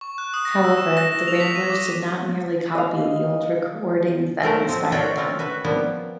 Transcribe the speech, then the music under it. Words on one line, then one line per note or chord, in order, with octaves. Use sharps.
However, the Ramblers did not merely copy the old recordings that inspired them.
C#6
F#6
D#6
A#6
E6
E7
A#6
A#6
F7
B6
D#7
D6
D#5 F5
F#3 A3 A#4 C5
F3 C4
F4 F#4 A4 C#5 D5 G5
C4 C#4 F4
F#4 B4 E5
F3 G3 A#3 B3